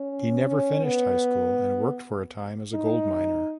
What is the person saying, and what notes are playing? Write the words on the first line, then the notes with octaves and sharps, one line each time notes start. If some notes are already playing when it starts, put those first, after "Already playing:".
He never finished high school and worked for a time as a gold miner.
Already playing: C#4
C#4
B3
D#4